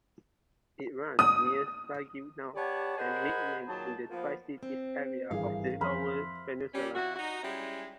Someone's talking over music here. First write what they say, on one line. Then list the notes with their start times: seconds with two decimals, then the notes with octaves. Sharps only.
It runs near Saginaw and Midland in the Tri-Cities area of the Lower Peninsula.
1.19 D#6
2.55 B3 G4 C#5 D5 F#5 A5
2.98 G#4 A#4 C5 D#5 F#5 B5
3.67 A#2 D#3 F#3 G#4 A5
4.10 F3 A#3 B3
4.63 C4
5.31 G#1 G2 D#3 E3 G#4 F5
5.81 F2 C5 E5 B5 F6
6.74 G3 C#4
6.95 F2 E4 F#4
7.16 D#4 F#4
7.42 G3 G#3 C#4 E4